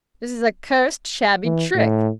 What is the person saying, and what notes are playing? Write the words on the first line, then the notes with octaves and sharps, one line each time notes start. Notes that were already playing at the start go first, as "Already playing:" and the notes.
This is a cursed shabby trick!
E3
A2